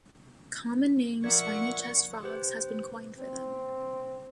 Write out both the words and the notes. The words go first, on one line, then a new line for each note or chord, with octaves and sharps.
Common name spiny-chest frogs has been coined for them.
F3 F4 A#4 D5 E5 F#5 C#6 G#6
G4 B4 C5
C4